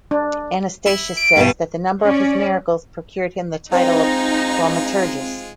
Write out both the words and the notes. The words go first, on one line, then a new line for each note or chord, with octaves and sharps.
Anastatius says, that the number of his miracles procured him the title of Thaumaturgus.
D4
E4
D7
G2 B2
C#4 D5
G#3 C4 D#4 F4 C5 G5